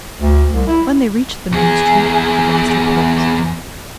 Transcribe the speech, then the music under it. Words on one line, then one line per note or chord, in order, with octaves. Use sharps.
When they reached the main street the master paused.
D2
C2
E4
E2 G#4